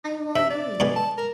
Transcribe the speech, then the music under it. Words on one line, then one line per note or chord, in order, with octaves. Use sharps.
I won't do it!
C3 E5
D5
B2 D3 G#3
A5
A#4